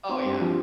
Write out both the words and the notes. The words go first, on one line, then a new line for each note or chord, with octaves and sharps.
Oh, yeah.
C4 C6
G2
F3